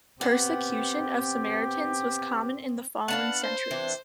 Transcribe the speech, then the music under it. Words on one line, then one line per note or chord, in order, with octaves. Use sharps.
Persecution of Samaritans was common in the following centuries.
B3 C4 G4
B3 D4 F5 F#5
C5
E3 C4 D4